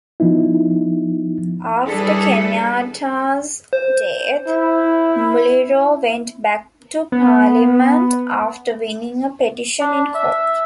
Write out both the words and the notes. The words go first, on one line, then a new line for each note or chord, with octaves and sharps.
After Kenyatta's death, Muliro went back to Parliament after winning a petition in court.
F3 B3 D#4 E4
E3 G3 D4 G#4 A4 B4
C5
E4
B3
D4
E5